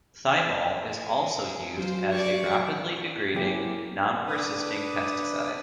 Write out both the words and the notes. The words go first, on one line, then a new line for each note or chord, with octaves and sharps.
Thymol is also used as a rapidly degrading, non-persisting pesticide.
G#3 G#4
F#3 C5 F5
D5 C#6
F#3 A#3 C4 E4 G4 G#4
D4 B4 D#6